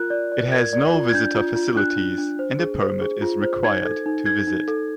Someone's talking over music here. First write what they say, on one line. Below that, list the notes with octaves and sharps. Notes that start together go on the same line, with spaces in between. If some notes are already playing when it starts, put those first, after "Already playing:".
It has no visitor facilities and a permit is required to visit.
Already playing: F4 A#4 F#6
D5
D5
A#4 G#6
D5
F4
G#6
D4 G6
F4
F4
D4 F#6
D4
D4
C5
G#4
C5
G#4
F4
C5
D#4 G#6
A4
D#4
D#4 G#6
D#4
A4